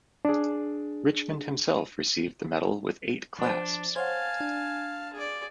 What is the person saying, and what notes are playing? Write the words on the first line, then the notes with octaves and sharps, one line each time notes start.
Richmond himself received the medal with eight clasps.
D4 G#4
F3 D4 C5
C5 C#5 F5 F#5 G#5 A5
D4
G#4 D5